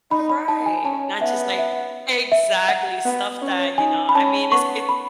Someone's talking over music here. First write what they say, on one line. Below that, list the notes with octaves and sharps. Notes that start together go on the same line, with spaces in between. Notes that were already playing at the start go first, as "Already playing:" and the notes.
Right. Not just, like Exactly, stuff that, you know I mean, it's it
D#4 B5
B5
D#4 A5
G#5
C#4 A5
B3 E5
E5
E5
F#5
B3
C#4
D#4 G#5
B5
C#4 A5
B3 C#6
B5